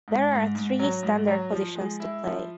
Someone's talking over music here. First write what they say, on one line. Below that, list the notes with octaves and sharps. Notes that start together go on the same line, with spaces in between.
There are three standard positions to play.
G#2
G#2
G#2
F#3
G#2
F#3
F3
G#3
E4
F3